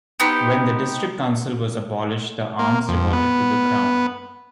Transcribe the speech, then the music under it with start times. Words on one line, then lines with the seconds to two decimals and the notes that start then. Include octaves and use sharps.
When the district council was abolished the arms reverted to the Crown.
0.20 B3 C4 D#4 G4
2.59 A#3
2.89 F2
3.13 B3